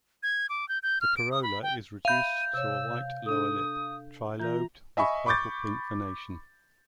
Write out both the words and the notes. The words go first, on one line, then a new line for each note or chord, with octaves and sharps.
The corolla is reduced to a white lower lip, trilobed, with purple-pink venation.
G#6
D6
G6
G6
F6
D7
D#6
B5
G5
E5 F5 B5 G6 D#7
C3 C#5 E6
D4 A4 D#6
E3 F4 A#5 G6
D#5 E5 G#5 B5 C#6
B5 C#6 D6 G6 A6